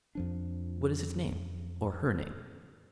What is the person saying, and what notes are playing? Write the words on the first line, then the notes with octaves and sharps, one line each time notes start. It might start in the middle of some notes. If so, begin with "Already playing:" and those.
"What is his name--or her name?"
F2 F3 D4